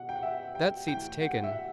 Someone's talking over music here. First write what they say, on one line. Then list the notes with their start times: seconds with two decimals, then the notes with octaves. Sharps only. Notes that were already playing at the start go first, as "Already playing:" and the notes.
That seat's taken.
Already playing: B2 F#5
0.09 G5
0.15 F#5
0.23 E5
0.55 G5
0.88 A2 E3 G5
1.21 F#5
1.44 E5
1.53 F#5